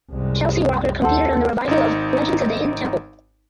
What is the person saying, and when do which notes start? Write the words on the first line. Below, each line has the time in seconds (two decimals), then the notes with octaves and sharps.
Chelsea Walker competed on the revival of "Legends of the Hidden Temple".
0.12 C2 F#2 G#3
1.02 D#2 A4 C5 F#5
1.67 G#1 D#4